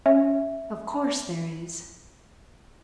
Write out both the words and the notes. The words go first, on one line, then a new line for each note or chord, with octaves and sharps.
Of course there is.
C#4 E5